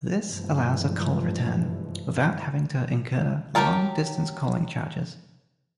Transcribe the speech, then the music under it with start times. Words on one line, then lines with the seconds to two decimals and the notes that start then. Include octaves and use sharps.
This allows a call return without having to incur long distance calling charges.
0.23 G2 C3 E3 F3 G#3 A3
3.55 F#3 G4 A4 A#4 A5